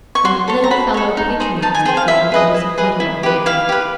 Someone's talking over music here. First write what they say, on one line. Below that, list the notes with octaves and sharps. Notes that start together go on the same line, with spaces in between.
The little fellow patronized the feeble and disappointed old man.
C#6
F#4 C6
A4 C#5
A#5
F#4 B5
A4 C#5
D#4
G#4 C5
D#4 A5
G#5
G#4 C5 G5
F5
E4 E5
G#4 B4 D#5
E4
G#4 B4 D#5
E4
G4 B4
E4 F5
G4 B4